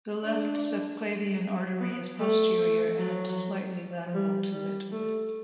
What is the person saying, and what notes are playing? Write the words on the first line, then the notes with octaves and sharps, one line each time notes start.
The left subclavian artery is posterior and slightly lateral to it.
D4
B3
A3
A3
F#3
G3
G3
A3